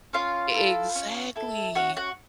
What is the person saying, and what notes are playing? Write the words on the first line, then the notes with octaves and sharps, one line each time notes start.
E exactly.
C#4 F4 F5
E4 A4
C#4
E4 A4
C#4 F#4 F#5
F#4 F#5